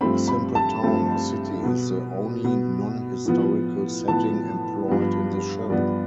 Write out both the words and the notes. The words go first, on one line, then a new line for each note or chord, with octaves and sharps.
A simple town or city is the only non-historical setting employed in the show.
G2 F3 A3 C4 B5
B5
A5
G2 F3 A3 C4
B2 B3
B2 B3
A2 F3 B3
A2 F3 B3 A5
G2 F3 B3
G2 F3 B3 D5